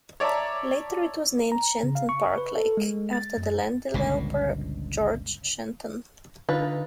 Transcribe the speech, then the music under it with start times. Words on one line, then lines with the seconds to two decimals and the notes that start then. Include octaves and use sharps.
Later it was renamed Shenton Park Lake, after the land developer George Shenton.
0.20 C#5 D5 E5 A5 A#5
1.52 A#5
1.83 C#3
1.95 F5
2.09 C#6
2.38 B4
2.57 A4
2.77 G#3
3.13 A6
3.37 F#2
3.94 G1 C#2 A#2 D3
6.49 D3 D#4 F4 B4